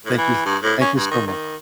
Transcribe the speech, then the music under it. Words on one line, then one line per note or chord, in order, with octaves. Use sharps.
Thank you s thank you so much.
A2
E3
G2
A2
C#4
G2
D#3
D#3